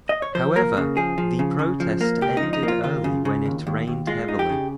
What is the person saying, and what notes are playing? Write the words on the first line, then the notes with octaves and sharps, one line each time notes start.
However, the protest ended early when it rained heavily.
D#5
C#5
F3 C5
A#3 A#4
C#3
F3 G#4
F3
C#3
C#3
F3
A#3
C#2 G4
D#4
F3
D#4
A#3
F4
D#2 F4
C#3
C#3
D#2
D#2
D#2
G#3 F4
D#4
G4
C#3